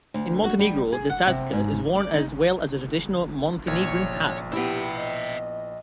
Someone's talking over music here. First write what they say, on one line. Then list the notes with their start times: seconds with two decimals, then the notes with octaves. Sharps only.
In Montenegro, the šajkača is worn, as well as the traditional Montenegrin hat.
0.14 D2
0.44 F#4
0.59 G3
0.92 G#4
1.10 F#5
1.27 C3
1.52 G#2
1.95 D5
2.14 D#4
3.68 A#1 C#5
4.53 B3 E4 G4 E5 G5
4.96 D#5